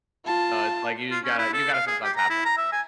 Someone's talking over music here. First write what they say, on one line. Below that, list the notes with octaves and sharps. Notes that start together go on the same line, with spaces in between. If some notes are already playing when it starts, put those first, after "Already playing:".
So, it's like you just gotta you gotta sometimes have that, you know?
F4 A5
F4
C#4
E4
A4
F5
G#4
G4
A#5
E4
A#5
E5
G#5